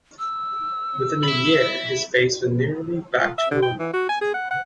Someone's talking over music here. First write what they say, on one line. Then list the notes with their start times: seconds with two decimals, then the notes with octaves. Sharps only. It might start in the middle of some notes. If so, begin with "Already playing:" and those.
Within a year, his face was nearly back to normal.
0.19 E6
1.23 E5 B5
3.21 F4
3.38 E5
3.51 D3
3.63 G5
3.79 E3
3.94 F#4
4.09 G#5
4.21 G#4
4.34 F#5
4.51 F#5